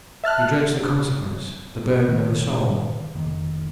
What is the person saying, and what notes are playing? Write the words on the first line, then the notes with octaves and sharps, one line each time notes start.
He dreads the consequence--the burden of a soul.
E5 A5 F6 F#6
D#3
A#2 D3 D#3 G3
F1 D#3 A#3